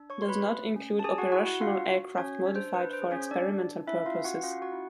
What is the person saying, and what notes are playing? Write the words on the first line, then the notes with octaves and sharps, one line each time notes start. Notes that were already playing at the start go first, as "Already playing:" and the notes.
Does not include operational aircraft modified for experimental purposes.
Already playing: D4
C#5 C#6
F#4 C6
B4 B5
A3
C#4
A5
G4 G#4 G#5
F#4 F#5
E4 F#4 F#5
F#4 F#5
D4 F4 F5
F#4
C#4 F#4 C#5
D4
C5
D4 B4
C5
G#4
C#4 C#5
D4 D5
D4
C#4 E4 E5
F4 F5
C#4
F#4 F#5
C#4 F4 F5
F#4 F#5
E4